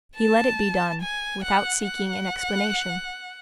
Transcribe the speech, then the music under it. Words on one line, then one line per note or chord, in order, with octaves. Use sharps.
He let it be done, without seeking an explanation.
A5
G#5
F#5
F#5